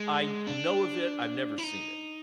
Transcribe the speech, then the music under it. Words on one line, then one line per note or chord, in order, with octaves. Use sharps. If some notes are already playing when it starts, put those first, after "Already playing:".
I know of it. I've never seen it.
Already playing: G#3
D4
E4
D#4